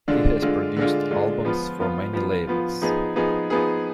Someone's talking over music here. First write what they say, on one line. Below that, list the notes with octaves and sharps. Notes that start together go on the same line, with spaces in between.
He has produced albums for many labels.
D3 G#3 D4 F4
D3 G#3 D4 F4
D3 G#3 D4 F4
D3 G#3 D4 F4
F3 B3 F4
F3 B3 F4
F3 B3 F4
F3 B3 F4
F3 B3 D#4 G#4
F3 B3 D#4 G#4
F3 B3 D#4 G#4